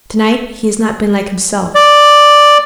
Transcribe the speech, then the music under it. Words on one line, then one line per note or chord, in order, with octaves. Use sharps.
'To-night he has not been like himself.
D5